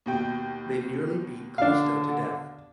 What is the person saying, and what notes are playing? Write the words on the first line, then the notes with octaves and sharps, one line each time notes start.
They nearly beat Callisto to death.
D#2 B2 G5
D3 D4 F5